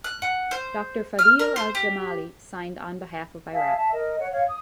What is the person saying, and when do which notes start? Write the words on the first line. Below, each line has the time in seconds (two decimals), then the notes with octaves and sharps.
Doctor Fadhil Al-Jamali signed on behalf of Iraq.
0.04 F#6
0.22 F#5
0.51 C5
1.19 F6
1.39 A#4
1.56 C5
1.75 G4
3.52 G#4 E5 F5 A5
3.76 E5 A5
3.92 A#4 D#5
4.19 C#5 F#5
4.32 C#5 F5 G#6
4.47 D#6